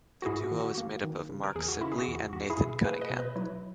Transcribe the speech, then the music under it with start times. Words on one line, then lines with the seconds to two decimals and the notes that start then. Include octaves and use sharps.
The duo is made up of Marc Sibley and Nathan Cunningham.
0.22 F#4
0.26 G#2 E4 G#4
0.44 F#4
0.51 D#3
0.60 F#4
0.78 A#3
1.04 D#3
1.29 C#3
1.43 A#4
1.55 E2 G#4
1.68 F#4
1.81 C#3 E4
1.92 G#4
1.98 F#4
2.07 E2
2.15 F#4
2.33 E2 F#4
2.50 E4 G#4
2.59 B2
2.84 A#3 G#4 B4
3.01 B4 D#5
3.10 B2
3.19 B4 D#5
3.36 F#3 E4